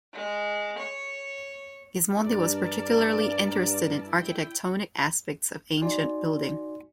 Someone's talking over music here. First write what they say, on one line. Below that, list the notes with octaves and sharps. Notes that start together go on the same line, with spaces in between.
Gismondi was particularly interested in architectonic aspects of ancient building.
G#3
C#5
G2 A#4 D5 A5
E4 G5
D#4 F#4 D5 G#5 C6